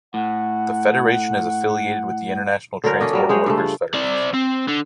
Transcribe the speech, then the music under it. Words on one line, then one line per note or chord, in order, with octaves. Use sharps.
The federation is affiliated with the International Transport Workers Federation.
A2 F#5
D3 F#3 C#4 A#4
A#3 C#4 D4 D#5
F#3 G3 A#4
G#3 G#4 C5 C#5
G2 C#3 A3
F4
C4 D5
C4
D3